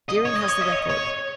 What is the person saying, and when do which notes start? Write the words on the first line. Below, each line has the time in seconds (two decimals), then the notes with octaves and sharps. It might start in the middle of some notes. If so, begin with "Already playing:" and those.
Deering has the record.
0.09 D#5
0.25 C#5
0.37 D#5
0.49 C#5
0.61 D#5
0.72 C#5
0.89 C#5